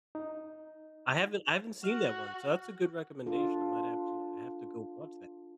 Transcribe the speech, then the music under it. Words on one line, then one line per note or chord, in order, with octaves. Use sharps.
I haven't I haven't seen that one, so, that's a good recommendation. I might have to I have to go watch that actually.
D#4
F#4 F6
D4 F4 A4